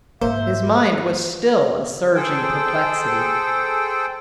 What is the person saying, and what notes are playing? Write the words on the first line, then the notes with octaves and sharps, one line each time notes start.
His mind was still a surging perplexity.
G#2 A#3 C5 E5
G#4 A4 C5 G5